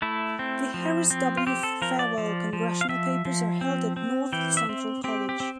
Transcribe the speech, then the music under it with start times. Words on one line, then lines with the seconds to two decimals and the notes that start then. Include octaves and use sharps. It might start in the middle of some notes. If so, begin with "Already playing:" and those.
The Harris W. Fawell Congressional Papers are held at North Central College.
0.02 A3 E4
0.39 C4
0.74 F3
1.10 C4
1.37 F4
1.47 C4 G4
1.63 A4
1.82 F3 A#4
1.99 D5
2.18 F3
2.53 F3
2.81 F5
2.89 F3 E5
3.25 F3
3.61 C4
3.96 C4
4.33 E3 G5
4.57 E5
4.69 C4
5.04 C4 G4
5.29 G4
5.40 C4